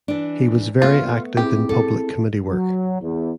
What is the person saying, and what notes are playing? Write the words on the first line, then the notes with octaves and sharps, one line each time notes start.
He was very active in public committee work.
E3 D4
A3 B3 F4
C4 E4 G4 G#4
A4
F#3
E2